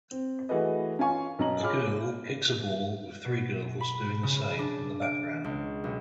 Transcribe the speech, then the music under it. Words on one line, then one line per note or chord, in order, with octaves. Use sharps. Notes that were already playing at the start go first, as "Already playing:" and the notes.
A girl kicks a ball with three girls doing the same in the background.
C4
E3 A3 F#4 G#4 B4 D#5
C#4 F4 F5 G#5 C#6
B1 C#4 D#5 A#5 F#7
F4 G#4 C#5 B5 D6 F6
B2
B5
C#3
D4
D7
C#2
B1